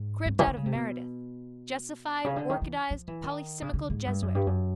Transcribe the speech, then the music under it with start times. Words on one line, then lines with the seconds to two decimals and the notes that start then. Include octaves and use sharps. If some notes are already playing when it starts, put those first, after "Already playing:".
Cribbed out of Meredith. Jesified, orchidised, polycimical jesuit!
Already playing: G#2
0.26 G2
0.39 D#3
0.47 D3
0.56 C#3
0.66 C3
0.75 B2
2.25 C#3
2.36 D3
2.50 D#3
2.62 E3
2.90 F3
3.08 E3
3.24 D#3
3.62 C#3
3.73 D3
3.90 G#2
4.06 G2
4.22 F#2
4.35 G2
4.47 F#2